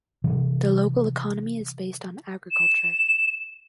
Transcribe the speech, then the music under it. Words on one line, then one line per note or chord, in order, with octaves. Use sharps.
The local economy is based on agriculture.
C3 E3
E7